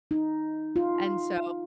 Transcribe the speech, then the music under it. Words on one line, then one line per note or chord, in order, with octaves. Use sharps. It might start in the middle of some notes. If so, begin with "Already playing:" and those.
and so,
D#4
F4